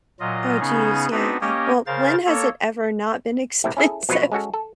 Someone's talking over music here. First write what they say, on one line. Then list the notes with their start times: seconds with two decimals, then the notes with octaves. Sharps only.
Oh, jeez, yeah. Well, when has it ever not been expensive?
0.20 A#2 F#3 F4 D#5
0.60 C#3 B3 C#4 D#4 G#4
1.11 B3 C4 D4 D#4 F#4 B4
1.41 A#3 C#4 G4 C#5 D#5
1.87 C#3 A#4 C5 F5 A6
2.26 A#3 A4 C#5
3.64 A#1 A2 C3 E4
3.77 C#4 E4 G#4 A4
4.09 B2 F3 F#3 F4 B4 C#5
4.32 G#3 C#4 F#4 A4
4.54 A4